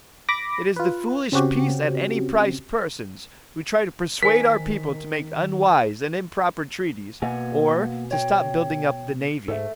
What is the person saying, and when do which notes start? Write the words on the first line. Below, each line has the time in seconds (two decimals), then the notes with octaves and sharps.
It is the foolish, peace-at-any-price persons who try to persuade our people to make unwise and improper treaties, or to stop building up the navy.
0.29 B5 D6 A#6
0.76 F4 B4
1.32 C#3 C4 C#4 F#4 G4
4.23 D#3 A#4 C5 G#5 B6
7.22 B2 A#3 F#5 G#5
8.11 C#5 G5
9.48 G#2 A4 E5